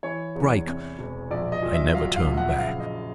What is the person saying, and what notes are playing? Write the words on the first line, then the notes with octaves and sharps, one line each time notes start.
Strike!' I never turned back.
E3 C#5
E2
C3
E1
A#1 D5
D#5
A#2
E5
F#3 F5
F5
A#1
F#5
E5
F#1 F5
D#5